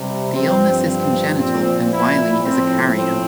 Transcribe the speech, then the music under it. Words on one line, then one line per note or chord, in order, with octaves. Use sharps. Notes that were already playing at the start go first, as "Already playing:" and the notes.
The illness is congenital and Whiley is a carrier.
Already playing: C3 G3
G2 F3 C4
C4
A#2 F3 C4
E4
A2 F3 C4
C4